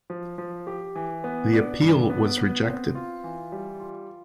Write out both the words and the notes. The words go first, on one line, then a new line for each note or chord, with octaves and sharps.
The appeal was rejected.
F3
F3
G4
E3
B3
D4
G2
B3
B3
C4
F4
E3
G3
F4